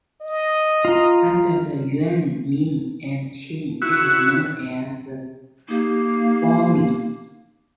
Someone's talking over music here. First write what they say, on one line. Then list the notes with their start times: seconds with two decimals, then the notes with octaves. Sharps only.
Under the Yuan, Ming, and Qing, it was known as Baoning.
0.21 D#5
0.85 F4 A#5
3.82 E4 F#4
5.68 A#3 D#4 G4